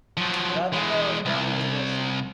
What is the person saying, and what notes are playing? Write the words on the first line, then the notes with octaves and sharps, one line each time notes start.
Rah Digga was born in New Jersey.
F3 F#3
E3 G#3
C2